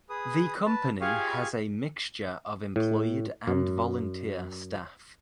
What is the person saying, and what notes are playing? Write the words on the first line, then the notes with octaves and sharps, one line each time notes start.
The company has a mixture of employed and volunteer staff.
G#4 B4 D#6
B4 A5
F4 G4 G#4 F5 G#5 C#6
A2
F#2